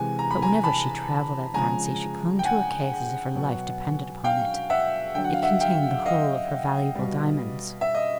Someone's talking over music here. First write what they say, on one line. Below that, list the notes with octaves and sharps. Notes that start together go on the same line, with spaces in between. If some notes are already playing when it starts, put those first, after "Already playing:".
But whenever she travelled, I fancy, she clung to her case as if her life depended upon it; it contained the whole of her valuable diamonds.
Already playing: C3 E3 G#3 G#5
A#5
B5
G#5 A#5
A5 B5
C#3 F3 G#3 G#5 A#5
G5
F#5 G#5
B2 F#3
F5 G5
E5 F#5
D3 F#3 G5
F#5
F5
E5 F#5
F5 G5
D#5 F5
B2 G3
E5
D#5